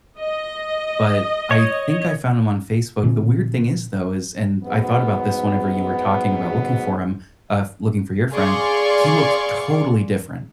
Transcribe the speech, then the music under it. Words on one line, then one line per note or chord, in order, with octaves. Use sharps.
but I think I found him on Facebook. The weird thing is though is and I thought about this whenever you were talking about looking for him, uh, f looking for your friend, he looked totally different,
D#5
C#5
A#2 D3 E3 C4
G#2 F#3 B3
G#4 D5 F5 C6 C#6